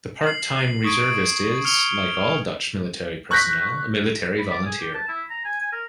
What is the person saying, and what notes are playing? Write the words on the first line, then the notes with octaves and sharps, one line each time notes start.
The part-time reservist is, like all Dutch military personnel, a military volunteer.
C7 F#7
C#6 D#6 G#6 D7 D#7
F6 C#7 F7 G7
C#6 F#6 G6 A#6 B6
B5
D5
G#4
G4
A5
E4
A#5
G#5
G#5
A#4